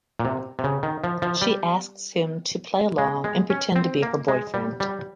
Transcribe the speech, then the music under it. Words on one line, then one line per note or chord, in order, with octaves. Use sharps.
She asks him to play along and pretend to be her boyfriend.
A#2
C3
C3
C#3
D#3
F3
F3
G3
G#3
G#3
C#4
C4
A#3
G#3
G3
G3